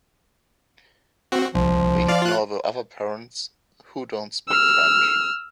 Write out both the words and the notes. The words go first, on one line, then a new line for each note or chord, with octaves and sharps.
We ignore the other parents who don’t speak French.
C4 F#4
C2 F3
D5 F5
F4 F#6
E6 F6